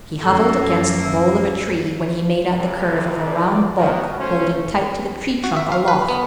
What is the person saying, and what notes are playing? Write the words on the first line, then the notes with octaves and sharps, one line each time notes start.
He huddled against the bole of a tree when he made out the curve of a round bulk holding tight to the tree trunk aloft.
F#2 A#3 A4
E5
F2 C3
D5
B2 D#3 F#4
A3 C#4 C5
F#4
E5
F5
B4
B3